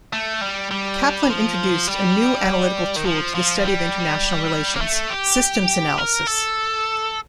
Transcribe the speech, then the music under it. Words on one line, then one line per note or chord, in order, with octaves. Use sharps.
Kaplan introduced a new analytical tool to the study of international relations, "systems analysis".
A3
G3
G3
F3
G3
D#3
F3
F3
G3
A#3
A3
G4
A#4
A4